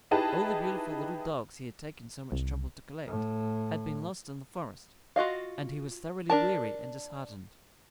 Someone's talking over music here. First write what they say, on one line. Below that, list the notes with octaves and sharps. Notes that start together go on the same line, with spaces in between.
All the beautiful little dogs he had taken so much trouble to collect had been lost in the forest, and he was thoroughly weary and disheartened.
D#4 E4 G4 G#4 B4 A5
C2
A2
F4 F#4 D#5 F5
D4 A#4 A5